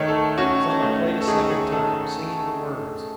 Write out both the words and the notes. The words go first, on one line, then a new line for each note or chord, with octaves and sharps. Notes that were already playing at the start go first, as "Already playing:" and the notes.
Some I played a second time, singing the words.
Already playing: D#3 A3 C#5
A4
C#4 F#4
A3
A4
D#3 G#4
G#4
D#3 A4